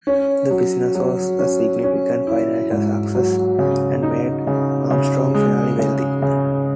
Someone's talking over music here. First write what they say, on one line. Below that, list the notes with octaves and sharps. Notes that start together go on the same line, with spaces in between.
The business was a significant financial success, and made Armstrong fairly wealthy.
C#4
F#3
F#3
C#4
C#4
E4
G#2
F#3
C#3
D#4
C#3
C#3
G#3
C#3
C#3